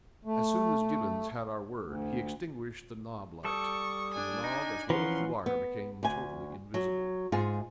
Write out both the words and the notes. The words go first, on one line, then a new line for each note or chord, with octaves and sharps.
As soon as Gibbons had our word, he extinguished the knob light, and the knob, as well as the wire, became totally invisible.
A3
D2
G3 A4 C#6 D#6
D4 G#5
D#4
E3 F3 C#4 F#5 A#5 C6
B3
D2 G#5
F#3
G#2 F4 G#4